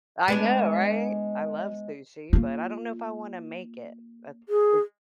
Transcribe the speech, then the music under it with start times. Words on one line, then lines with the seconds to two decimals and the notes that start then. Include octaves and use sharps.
I know, right? I love sushi, but I don't know if I wanna make it. That see
0.28 G#3 B3 D4
2.33 A#3 F4
4.49 G#4